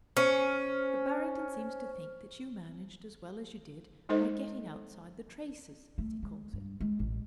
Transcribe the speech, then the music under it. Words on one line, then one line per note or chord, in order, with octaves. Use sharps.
But Barrington seems to think that you managed as well as you did by getting outside the traces, as he calls it.
C#4 C5 F6
G#3 D#4 A4 C5 D#5
A3
G#3
G2
G#3
A1